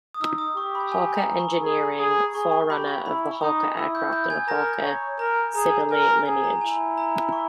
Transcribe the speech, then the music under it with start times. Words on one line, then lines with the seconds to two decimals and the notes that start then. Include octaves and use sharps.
Hawker Engineering, forerunner of the Hawker Aircraft and Hawker Siddeley lineage.
0.14 D#6
0.21 D#4 E6
0.38 D#6
0.57 G4 C#6
0.75 B5
0.92 G#5
1.16 A#5
1.39 C#6
1.63 G#4
1.99 G#4
2.35 G#4 C#6
2.52 C#6
2.70 G4 B5
2.88 C#6
3.06 E4 B5
3.31 C#6
3.41 D#4 D#6
3.77 E4 E6
3.95 G6
4.13 G6
4.30 G#5 G#6
4.48 A#4 A#5 A#6
4.83 C#5
5.19 A#4 A#5
5.55 G#4 A#5
5.91 A#4 G#5
6.09 A#5
6.26 G#4 G#5
6.44 A#5
6.61 E4 G#5
6.98 A#5
7.32 C#6